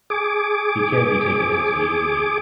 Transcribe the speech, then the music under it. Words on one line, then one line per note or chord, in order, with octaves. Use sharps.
He can’t be taken in so easily.
G#4 D6